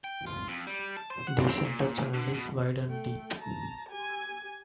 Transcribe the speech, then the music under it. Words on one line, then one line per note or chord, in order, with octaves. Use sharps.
The center channel is wide and deep.
G5
F4
F2
G3
A5
C5
F#5
C4
A#2
D3
B2
A3 G5
A5 A#5
G4 G#5